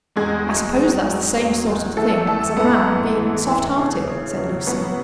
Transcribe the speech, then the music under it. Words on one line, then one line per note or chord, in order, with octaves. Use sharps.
"I suppose that's the same sort of thing as a man being soft-hearted," said Lucy.
E2 G#3 G#4
F#3
F#3
F#3
E2
E2
E3 A3 A4
E3 A3 A4
G#2 B3 B4
G#2
E3
E3
C#3
C#3
F#3
F#3 B3 B4